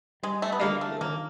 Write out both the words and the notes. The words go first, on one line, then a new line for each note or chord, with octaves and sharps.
Thank you.
G3 G#3
A3
B3
D3 A#3
A3
D#3 A#3